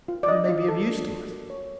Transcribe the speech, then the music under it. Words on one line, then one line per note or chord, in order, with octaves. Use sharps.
"But he may be of use to us."
F4
D5
D4 D#5
F4
A4
D4
F#4
A#4
C#5